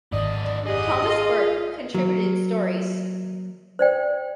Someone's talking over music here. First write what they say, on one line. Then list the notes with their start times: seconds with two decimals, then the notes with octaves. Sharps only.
Thomas Burke contributed stories.
0.12 G#1 D3 D5 D#5
0.67 G4 G#4 D#5 F#5
1.03 F4 G#4
1.95 F#3 A#3
3.79 C5 D5 G5